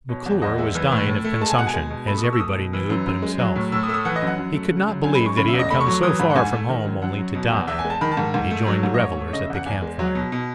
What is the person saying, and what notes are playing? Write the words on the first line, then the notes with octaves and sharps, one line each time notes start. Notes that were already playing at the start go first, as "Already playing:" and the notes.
McClure was dying of consumption as everybody knew but himself; he could not believe that he had come so far from home only to die, and he joined the revellers at the camp fire.
B2 C#5
E2
E2 D#5
G#3 E5
E3
A2
A2
A3
G#3 A5
G#5
B2 F#5
G#5
G#3
B2
A3 B5
D#6
B2 C#6
E6
A3 D#6
B2
E3
F#2
F#2
G#3
F#3
A2
A2 E6
D#6
A3 E6
D#6
E3 F#5
D#5
F#2 F#5
F#2
A3
C#3
F#2
F#2 G#5
B5
G#3
C#6
C#3 B5
E5
E2
D#5
A3 B5
C#6
F#3
E3 D#6
G#2 B5
F#5
G#2 G#5
A3
D#3
F#2
F#2 F#5
F#3
B2
E2
E2 E5
G#5
G#3
A5
D#3 B5
A5
G#2
G#2
A3
F#3
G#2
D#5
G#2 C#5
A3
C#5
C#3 D#5
E5
E2 F#5
E2 G#5
G#3
F#3
B2
B2